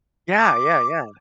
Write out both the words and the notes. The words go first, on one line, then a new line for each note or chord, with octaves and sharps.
Yeah, yeah, yeah.
D6